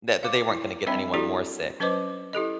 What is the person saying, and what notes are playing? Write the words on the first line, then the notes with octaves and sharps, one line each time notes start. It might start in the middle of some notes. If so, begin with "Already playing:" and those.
th that they weren't gonna get anyone more sick.
F5 D6
E4
G3 C4 D4 E5 G5 B5
D4 E4 F#4 G4 A4 D5
F#3 C#4 B4 C5 D#5 D6
E4 G4 A4 D#5